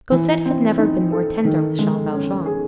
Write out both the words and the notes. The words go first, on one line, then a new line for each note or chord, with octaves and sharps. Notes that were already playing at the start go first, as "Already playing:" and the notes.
Cosette had never been more tender with Jean Valjean.
E3
C4
D#4
A4
D#3
G#3
C#4
G#4